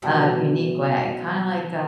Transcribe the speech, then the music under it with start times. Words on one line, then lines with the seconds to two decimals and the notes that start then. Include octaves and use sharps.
uh, unique way, kinda like,
0.02 B2 E3 F#3 G3